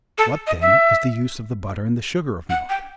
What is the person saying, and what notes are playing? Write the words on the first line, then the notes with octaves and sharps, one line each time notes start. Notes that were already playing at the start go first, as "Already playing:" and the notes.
What, then, is the use of the butter and the sugar of milk?
A4
D#5
E5
F#5
G5